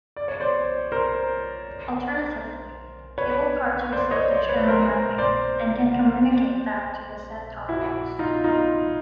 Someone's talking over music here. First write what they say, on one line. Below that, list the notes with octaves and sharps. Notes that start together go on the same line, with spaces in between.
Alternatively, CableCards receive the channel mapping and can communicate that to the set-top box.
D5
C#5
C5 D5
A#4 C5
B4 C#5
C5 D5
C#5 D#5
C5 D5
B4 C#5
A#4 C5
C5 D5
E4 F#4
D#4 F4
D#4 F4